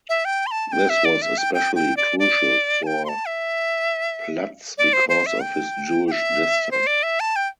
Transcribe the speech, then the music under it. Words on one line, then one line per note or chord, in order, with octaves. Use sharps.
This was especially crucial for Platz because of his Jewish descent.
E5
G5
C6
A5
A5
G5
E5
D5
E5
G5
G5
G5
D5
D5
A5
G5
C6
A5
E5
D5
C5
C5
E5
G5
G5
E5
C5
D5
E5
A5
G5